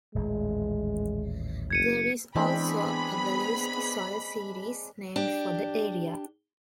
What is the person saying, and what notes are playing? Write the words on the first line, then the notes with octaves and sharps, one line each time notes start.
There is also a Walluski soil series named for the area.
D#1 A1 E3 G#3
F#1 G#6 C#7 D#7
E3 G#3 B3 C4 D4 G#4 B5
D4 G4